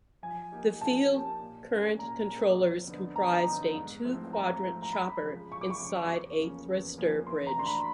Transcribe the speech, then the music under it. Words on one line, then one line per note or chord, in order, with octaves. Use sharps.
The field current controllers comprised a two quadrant chopper inside a thyristor bridge.
F3 G#5
A#3 D#4 G4
F3 A5
A#3 D#4 G4
A#2
F#3 A#3 C#4
A#2 A#5
F#3 A#3 C#4
F2
D3 F#3 B3 D#4
F2 A#5
D3 F#3 B3 D#4
G#2
F3 A3 C4 E4
G#2 A#5
F3 A3 C4 E4
A#5
F#2 B5
C#3 F3 G#3
F#2 C#6
D6
C#6
C#3 F3 G#3
E2
C#3 F3 A#3 C#4
E2
C#3 F3 A#3 C#4
E3 C6
A#5
A3 D4 F#4 C6
B5